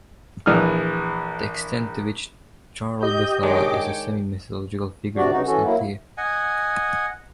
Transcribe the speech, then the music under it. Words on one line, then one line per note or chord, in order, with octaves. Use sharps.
The extent to which Jarl Buthar is a semi-mythological figure is unclear.
A#1 E3 D#6 F6
G4 D#5 G6
D#3 G#3 D4 C#5 G5 D6
D2 C3 D4 F#4 D5
G2 C#3 D#4 F#4
E3 C#4 F#4 A4
F#3 A#3 E4
D#5 F#5 G#5